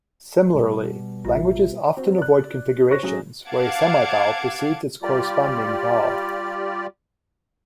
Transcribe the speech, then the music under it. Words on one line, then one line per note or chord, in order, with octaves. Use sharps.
Similarly, languages often avoid configurations where a semivowel precedes its corresponding vowel.
B2 G3
A1 F4 E5
C4 F#4
D5 F#6
C5 C#5 C#6 F#6 A#6
F#3 C#4 G#4
F5 F#5 A5 D6 G#6
G3 F4 G4 D5